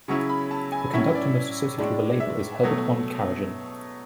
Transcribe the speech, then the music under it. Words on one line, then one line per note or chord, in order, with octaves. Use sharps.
The conductor most associated with the label is Herbert von Karajan.
C#3 F#3 C#4 E4 C#6
B5
A5
G#5
A2 F#3 C#4 E4 E5
D5
A2 G#3 D4
E5
B2 F#3 A3